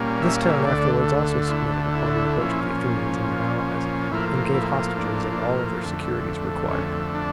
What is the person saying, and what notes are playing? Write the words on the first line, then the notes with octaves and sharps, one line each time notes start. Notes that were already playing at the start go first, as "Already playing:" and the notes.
This town afterwards also submitted upon the approach of the Athenians and their allies, and gave hostages and all other securities required.
Already playing: A#2 G3 A#3 C#4
E5
F5
E5
D2 D3 A3 D5
F4
E4
E4
A#2 F3 C#4
A2 F3 A#3 E4
E4
D4
F2 D3 A3
C#4
D4